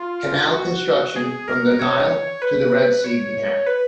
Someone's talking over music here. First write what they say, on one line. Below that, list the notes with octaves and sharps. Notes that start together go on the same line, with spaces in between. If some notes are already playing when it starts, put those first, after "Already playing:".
Canal construction from the Nile to the Red Sea began.
Already playing: F4
F#4
G#4
A#4
C#5
B4
C#5
B4